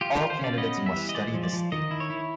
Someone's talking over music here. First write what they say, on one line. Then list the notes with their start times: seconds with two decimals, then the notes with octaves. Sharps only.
All candidates must study this theme.
0.01 F4 G4
0.16 F4 G4
0.30 C5
0.39 C#4 D5
0.58 B3 D#5
0.78 G3
0.86 E5
0.96 E3
1.09 D#5
1.15 G#3 D5
1.34 F3
1.43 D5
1.53 F3
1.72 D#3 D#5
1.91 E4
2.00 C#5
2.10 E4